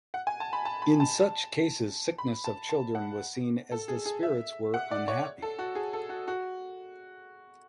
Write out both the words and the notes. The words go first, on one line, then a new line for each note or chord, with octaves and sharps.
In such cases sickness of children was seen as the spirits were unhappy.
F#5
G#5
A5
B5
A5
B5
A5
B5
A5
A5
F#5
A4
G#4
G#4
E5
F#5
D5
C#5
A4
F#4
G#4
A4
F#4
F#4